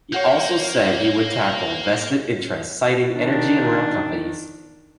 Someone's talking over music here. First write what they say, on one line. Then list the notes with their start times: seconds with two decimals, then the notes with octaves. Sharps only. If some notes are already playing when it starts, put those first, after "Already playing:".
He also said he would tackle "vested interests", citing energy and rail companies.
0.13 A#3 C#5 F#5 G6
3.18 D#3 D4